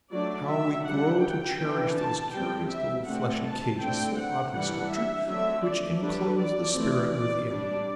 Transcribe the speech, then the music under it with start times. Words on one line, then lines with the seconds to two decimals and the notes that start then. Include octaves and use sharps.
How we grow to cherish those curious little fleshy cages--so oddly sculptured--which inclose the spirit within.
0.12 F#3 A3 D4 D5
0.48 E5
0.84 G3 D4 F#5
1.22 G5
1.59 E3 B3 D4
1.95 A5
2.33 G3 C4 G5
2.69 E5
3.06 D3 A3 C4 F#5
3.43 A5
3.80 D3 A3 C4 G5
4.17 F#5
4.53 E3 G3 D4 F#5
4.90 E5
5.27 D3 F#3 A3 C4 E5
5.64 D5
6.01 D3 G3 D4 B4
6.38 D5
6.74 E3 A3 C4
7.12 D5
7.48 G3 D4 D5